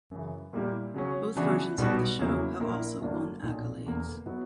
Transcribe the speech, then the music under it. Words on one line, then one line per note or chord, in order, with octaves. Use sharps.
Both versions of the show have also won accolades.
F#2 C#3 E3
A#2 G3 A#3 E4 G4
C#3 F#3 C#4
C#3 E3 B3 D4 F#4
B1 B2 G3 B3 F#4
E2 C#3 F#3 A#3 E4
A#1 A#2 A#3 E4 A#4
G1 G2 F#3 A#3 D4
B1 A#2 A#3
E1 E2 D3 A#3
F#3 B3 E4